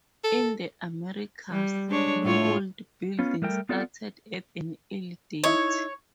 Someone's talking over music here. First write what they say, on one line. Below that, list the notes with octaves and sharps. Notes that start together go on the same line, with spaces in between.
In the Americas, mound building started at an early date.
A4
G3
G#3 D4 C#5
A2 F4 C#5
B3 C#4 F4
G3 A3 A#4 G5
B3 C4 F4 A4 D5 F#5
D#4 E4 C#5